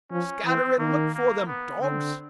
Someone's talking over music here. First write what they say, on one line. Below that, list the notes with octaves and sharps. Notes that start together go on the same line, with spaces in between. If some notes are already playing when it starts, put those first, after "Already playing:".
Scatter and look for them, dogs!
F3 C#4
E3 C4
D#3 A#3
A#3
B3
D3 C4